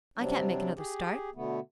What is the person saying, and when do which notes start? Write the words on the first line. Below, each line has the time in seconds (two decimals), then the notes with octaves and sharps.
I can't make another start.
0.18 C3 F#3 G3 C4 D4
0.77 G4 G#4
1.35 B2 D3 A3 B3